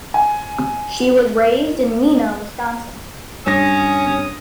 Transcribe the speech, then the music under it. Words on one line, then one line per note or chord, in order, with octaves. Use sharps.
She was raised in Neenah, Wisconsin.
G#5
G2 C#4 D#6 A#6